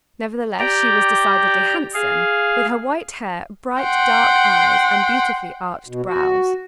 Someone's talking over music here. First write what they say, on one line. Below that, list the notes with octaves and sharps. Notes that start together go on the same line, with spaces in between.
Nevertheless, she was decidedly handsome, with her white hair, bright, dark eyes, and beautifully arched brows.
G4 D5 G5 A#5
G#4 F5
F#5 G5 C6
B2
F#4